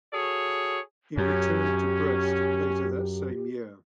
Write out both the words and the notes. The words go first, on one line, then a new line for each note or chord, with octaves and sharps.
He returned to Brest later that same year.
F#4 G#4 A4 C#5
F#2 C#4 G4